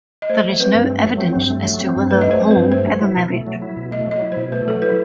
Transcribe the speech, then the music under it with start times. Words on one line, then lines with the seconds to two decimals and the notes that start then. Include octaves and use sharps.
There is no evidence as to whether Hall ever married.
0.22 D#5
0.29 A3 C5
0.44 F#3
0.60 C4 B4
0.75 G2
0.90 A3
1.05 F#3
1.20 C4
1.36 G2
1.50 A3
1.65 F#3
1.80 C4
1.96 G2
2.11 A3 B4
2.21 F#3 D#5
2.31 C5
2.41 C4
2.51 B4
2.56 G2
2.71 A3 C5
2.86 F#3
3.01 E4
3.16 B2
3.32 A3
3.47 F#3
3.62 E4
3.77 B2
3.91 A3 D#5
4.07 F#3 D#5
4.22 E4
4.32 C5
4.37 B2
4.52 A3 B4
4.67 F#3 A4
4.82 E4 B4